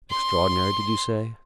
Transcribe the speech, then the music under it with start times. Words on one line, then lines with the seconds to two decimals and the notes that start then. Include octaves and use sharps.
"Extraordinary, did you say?"
0.10 C6